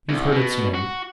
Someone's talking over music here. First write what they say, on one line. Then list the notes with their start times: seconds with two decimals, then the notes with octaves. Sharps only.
You've heard its name.
0.09 C2
0.32 B2
0.75 F#4